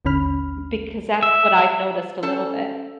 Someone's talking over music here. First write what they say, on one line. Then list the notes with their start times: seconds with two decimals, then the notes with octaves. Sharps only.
Because that's what I've noticed a little bit.
0.05 A1 D#2 D3 C#4 B5 F6
1.23 E5
2.23 C#4 A4 C5 A5